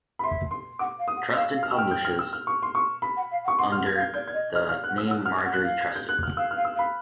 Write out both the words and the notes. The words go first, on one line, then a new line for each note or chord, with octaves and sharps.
Trusted publishes under the name Marjorie Trusted.
B5
E5 C6
C6
F#5 D6
F5
D#6
F#5
F5 E6
F5
F6
G5 E6
F6
G6
F6
E6
F6
C#6
C6
C#6
B5
F#5
F5
F#5
C#6
F#5 C6
F#5 F6
G#6
F5
G6
D5 G6
G#6
D#5
D#5
F6
F5 F6
F#5 F#6
E6
F#5
E6
F#5 F6
F#5
F#6
F5
G#6
G6
F#6
F6
F5 E6
F6
F5
E6
F5
B5